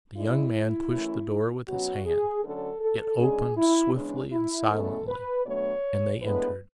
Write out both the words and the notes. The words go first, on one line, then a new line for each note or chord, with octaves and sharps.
The young man pushed the door with his hand. It opened swiftly and silently, and they entered.
G#2 G#3 D4 E4
F#2 E3 A3
B2 F#3 C#4 F#4
G#4
D2 D3 F#3 C#4 A4
A4
C#3 G#3 D4 G#4
E4
E2 C#3 G#3 D4
E4
E2 B2 A3 C#4 A4
B4
B2 F#3 A3 D4 C#5
A2 G#3 B3 D4 B4